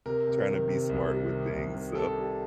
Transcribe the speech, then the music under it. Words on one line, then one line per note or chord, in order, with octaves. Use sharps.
tryna be smart with things. So
C3 A#4
C3
D#3
C3
C2
G3
D#3
C2
D#3
G3 A4
G3